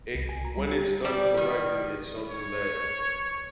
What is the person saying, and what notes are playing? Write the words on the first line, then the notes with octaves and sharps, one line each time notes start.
it c When it's done correctly, it's something that
C2
G#5
A#5
G3
G4
G3
D#3
C#5